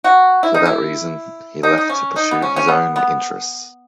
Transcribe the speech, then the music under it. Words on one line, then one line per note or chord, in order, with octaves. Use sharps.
For that reason, he left to pursue his own interests.
F#4
E4
D#4
E4
D#4
D#4
C#4
D#4
B3
C#4
C#4
B3
B3